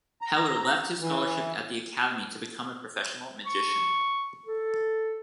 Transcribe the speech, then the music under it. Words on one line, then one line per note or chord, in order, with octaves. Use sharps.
Heller left his scholarship at the academy to become a professional magician.
A#5
E3
C#6
A4